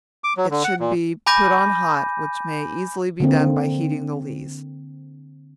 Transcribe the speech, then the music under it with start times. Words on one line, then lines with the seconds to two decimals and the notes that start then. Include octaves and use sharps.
It should be put on hot, which may easily be done by heating the lees.
0.24 D6
0.37 F#3
0.51 D3
0.64 F#5
0.80 A#2
1.26 G#5 B5 D6 G6 A#6 D#7
3.20 D3 A#3 C4